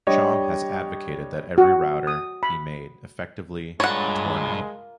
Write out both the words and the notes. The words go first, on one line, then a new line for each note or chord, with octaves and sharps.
Chaum has advocated that every router be made, effectively, a Tor node.
G3 D4 G4 C#5 D#5
F#4
D#6
B5
G2 A#2 G#3 C#5 F#5